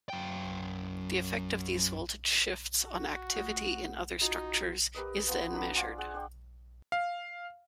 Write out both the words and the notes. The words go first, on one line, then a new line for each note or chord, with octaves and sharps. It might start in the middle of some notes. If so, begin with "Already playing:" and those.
The effect of these voltage shifts on activity in other structures is then measured.
F#2 G5
F#4
A3 F4 F#5
D#4 F4 F#4
G4 A#4 B4 D#5
F3 B3 B4
F#3 D4 B5
F4 C5 D5 G#5
G#4 F#5
D4 C5 D5 G5
F5